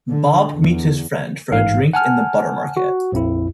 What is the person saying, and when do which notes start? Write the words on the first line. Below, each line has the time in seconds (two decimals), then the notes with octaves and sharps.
Bob meets his friend for a drink in the Buttermarket.
0.11 D3
0.55 E2
1.51 A1 G#2 F5
1.93 F#5 G#5 A5 F6
2.77 F#4
3.12 A#1 F2 E4